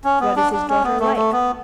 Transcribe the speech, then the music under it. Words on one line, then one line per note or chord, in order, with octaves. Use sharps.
"What is his daughter like?"
C#4
B3
D4
D4
C#4
B3
A3
A3
B3